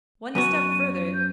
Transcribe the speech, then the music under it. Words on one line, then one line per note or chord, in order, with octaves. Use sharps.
'One step further....
F#2 B3 F#4 D#7
G6